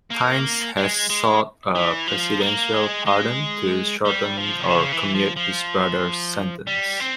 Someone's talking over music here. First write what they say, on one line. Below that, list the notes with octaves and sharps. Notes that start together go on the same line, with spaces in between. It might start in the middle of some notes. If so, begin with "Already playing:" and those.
Tynes has sought a presidential pardon to shorten or commute his brother's sentence.
A#3
G#3
G#3
E3
F3
A#3
G#3
G#3
G3
F3
C3
C#3
E3
F3
F3
G3
C4